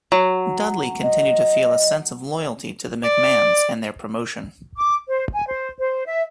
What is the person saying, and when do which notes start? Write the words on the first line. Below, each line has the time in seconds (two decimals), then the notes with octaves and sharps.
Dudley continued to feel a sense of loyalty to the McMahons and their promotion.
0.12 F#3
1.03 D#5
3.04 D5
4.77 D6
5.08 C5
5.33 G#5
5.47 C5
5.79 C5
6.05 E5